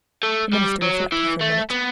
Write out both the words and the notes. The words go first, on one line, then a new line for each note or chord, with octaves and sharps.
The minister reflected for a minute.
A3
G3
F#3
E3
A3
B3